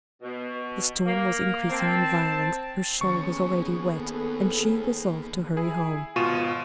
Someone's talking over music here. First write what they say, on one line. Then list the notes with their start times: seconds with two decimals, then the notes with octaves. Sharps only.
The storm was increasing in violence; her shawl was already wet, and she resolved to hurry home.
0.22 B2
1.06 A#3
1.70 C4 A5
3.01 D#2 B3 C#4 G#4 C#6
3.90 C4 C#4 A4
5.56 E4 G#4
6.16 G#1 B2 F4 C#6 D#7 E7